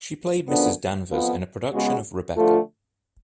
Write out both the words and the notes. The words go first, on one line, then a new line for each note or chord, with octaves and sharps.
She played Mrs Danvers in a production of "Rebecca".
F#2 D3 F3 B3 D4
F2 F3 B3
C#3 G#3 B3 F#4
D3 F3 A3 F4 A4